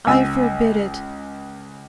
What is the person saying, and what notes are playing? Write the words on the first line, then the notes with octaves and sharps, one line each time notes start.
I forbid it.
C#2 G#5 E6